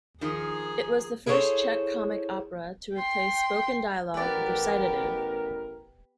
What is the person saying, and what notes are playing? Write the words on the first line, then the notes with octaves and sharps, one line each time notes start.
It was the first Czech comic opera to replace spoken dialogue with recitative.
D#3 F3 D#4 G#4
E4 G#4 A4 C5 C#5
G5 C6
A1 B3 G4 A#4 B4 D5